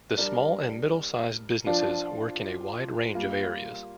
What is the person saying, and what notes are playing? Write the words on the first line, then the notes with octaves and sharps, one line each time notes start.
The small and middle-sized businesses work in a wide range of areas.
G3 D4 A#4 D5
F3 D4 F4 D5
G3 A#3 F4